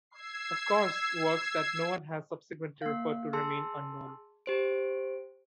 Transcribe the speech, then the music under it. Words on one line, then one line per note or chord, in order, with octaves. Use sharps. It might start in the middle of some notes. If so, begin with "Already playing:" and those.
Of course works that no one has subsequently referred to remain unknown.
E6 G#6 C7
A#3 F5
G#4 A5 C6 E6
G4 C5 D7